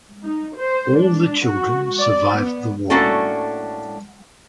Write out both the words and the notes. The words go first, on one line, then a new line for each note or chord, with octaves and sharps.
All the children survived the war.
D#4
C5
D4
F#4
D5
B3
A2 A#3 C#4 D4 F#4 A4